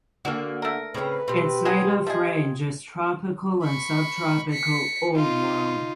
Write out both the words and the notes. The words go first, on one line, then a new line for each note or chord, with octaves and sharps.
Its native range is Tropical and Subtropical Old World.
D3 A#3 D4 F#4
A3 A#4
A2 C#3 C4 C#4 B4 A#5
B2 C4 G4
F#3 G#3 G#4
F3 G#4 D#5 E5
B5 C#6
B6 C#7
D#4 F4